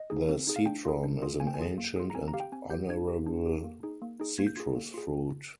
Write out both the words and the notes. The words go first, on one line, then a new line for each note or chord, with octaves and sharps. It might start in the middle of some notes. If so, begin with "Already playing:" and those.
The citron is an ancient and honorable citrus fruit.
Already playing: D#5
D#4 G#4
C4
D#4 G#4
F5
D4 G5
F4 G#4
D4
F4 G#4
A#3 G#5
G5
G#5
F4 G#4
A#3
F4 G#4
A#5
C4 G#5
A#5
G4 F5
G5
C4 G#5
G4 G6
D4 G#6
G4
D4
G4
A#3
D#4 G#4
A#3
D#4 G#4
A#3 G#6
G6
F4 G#4 G#6
A#3
F4 G#4